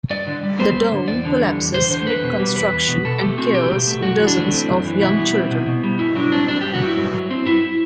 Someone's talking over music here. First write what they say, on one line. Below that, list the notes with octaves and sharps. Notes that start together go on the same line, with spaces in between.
The dome collapses mid-construction and kills dozens of young children.
G2 D5
D3
G3
B3 C5
G2
D3
E2 D5
D3
G3
E2
E2 C5
D3 C5
E2 B4
B2
G3
E2 B4
E2
B2
B2 A4
A3 G4
C4 F#4
B2 G4
B2
A3
F#2 F#4
E3
D4
A3
C4
F#2
E3
B2 E4
G3
C4
B2
B2
G3
G2 E4
F#3 D4
C4 D4
G2 D4
G2 G4
F#4
F#3 E4
G2
F#3
C4
G2 E4